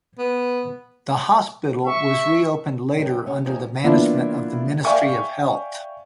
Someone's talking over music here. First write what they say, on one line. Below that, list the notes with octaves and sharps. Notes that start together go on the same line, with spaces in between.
The hospital was reopened later under the management of the Ministry of Health.
B3
E5 C#6
F2 D3 F#3 F4 A#4 G5
C3 C#4
E2 A2 F3 D#4 G4 G#5
E3 A#3 B3 D4 E4 F4
D5 E5 F5 G5 G#5 C#6